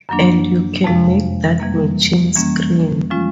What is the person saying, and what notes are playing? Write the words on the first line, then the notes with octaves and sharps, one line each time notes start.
And you can make that machine scream.
F#2 D#3 F#3 A#3 D4
F2 C3 F3 G#3
E3 G3 A#3
E3 G3 A#3 C#4
F3 G#3 C#4 F4